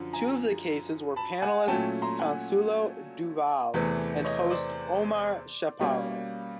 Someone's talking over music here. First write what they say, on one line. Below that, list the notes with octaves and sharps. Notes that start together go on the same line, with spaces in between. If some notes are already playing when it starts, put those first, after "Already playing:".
Two of the cases were panelist Consuelo Duval and host Omar Chaparro.
Already playing: F#2 D3 F3
G#5 A#5
A5 B5
F#5 G#5
A#2 F#3 A3 C#4 G5 A5
A#5 C6
F#5 G#5
E2 C3 E3 A3
C#5 D#5
C5 D5
B2 G3 A#3 C#4